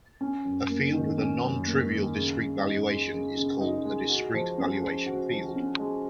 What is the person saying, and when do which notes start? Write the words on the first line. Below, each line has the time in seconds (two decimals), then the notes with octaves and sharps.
A field with a non-trivial discrete valuation is called a discrete valuation field.
0.21 C#4
0.45 F#2
0.69 A#3
0.94 D#3
1.18 C#4
1.42 F#2
1.67 A#3
1.90 D#3
2.15 C#3
2.39 C#3
2.63 D#4
2.88 G#3
3.12 C#3
3.37 C#3
3.61 D#4
3.85 G#3
4.09 F#4
4.34 F3
4.58 C#4
4.82 G#3
5.06 F#4
5.31 F3
5.55 C#4
5.79 G#3